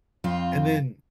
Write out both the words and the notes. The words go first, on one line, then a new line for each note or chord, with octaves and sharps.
And then
F2 C4 F4